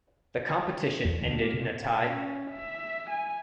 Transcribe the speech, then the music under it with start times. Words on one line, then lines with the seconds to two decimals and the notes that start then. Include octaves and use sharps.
The competition ended in a tie.
1.05 E2
1.21 D2
1.41 A#3
1.54 C3
2.03 C#4
2.51 E5
3.11 G#5